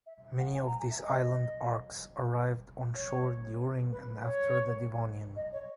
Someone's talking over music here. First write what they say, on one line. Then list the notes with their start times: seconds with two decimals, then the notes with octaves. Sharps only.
Many of these island arcs arrived onshore during and after the Devonian.
0.06 E5
0.39 F#5
0.55 G#5
0.66 A#5
0.79 G#5
0.91 E5
1.02 D#5
2.95 C#5
3.92 B4
4.24 C#5
5.36 D#5
5.53 C#5